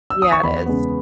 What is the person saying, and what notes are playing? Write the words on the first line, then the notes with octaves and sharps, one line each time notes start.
Yeah, it is.
E6
D#6
C#6
E2 B5
C#3 G#3 B3